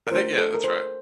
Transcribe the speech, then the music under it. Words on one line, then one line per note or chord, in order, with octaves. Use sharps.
I think yeah, that's right.
A#4
A3 D4 F4 C5
A4
A#4
C5